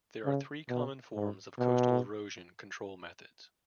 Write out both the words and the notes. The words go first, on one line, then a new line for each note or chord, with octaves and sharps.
There are three common forms of coastal erosion control methods.
C#3
B2
G#2
B2